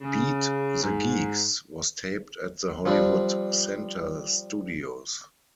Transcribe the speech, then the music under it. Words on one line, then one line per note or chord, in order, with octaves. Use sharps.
"Beat the Geeks" was taped at the Hollywood Center Studios.
C#3
G#2
F3 G3 C4 D4